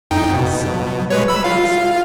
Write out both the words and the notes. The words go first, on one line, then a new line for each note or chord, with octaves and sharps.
Who last saw Henry Poindexter?
F2 D#4 G5
B2
G#3 B4 C#5
B5 E6
F4 F5